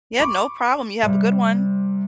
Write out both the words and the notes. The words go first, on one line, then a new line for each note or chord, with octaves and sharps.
Yeah, no problem you have a good one.
B5 C#6 D6
C3 G3